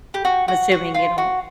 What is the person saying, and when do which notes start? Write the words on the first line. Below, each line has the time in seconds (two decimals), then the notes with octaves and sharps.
I'm assuming you don't
0.14 G4
0.25 F#4
0.48 F#4
0.72 F#4
0.95 F4
1.18 F#4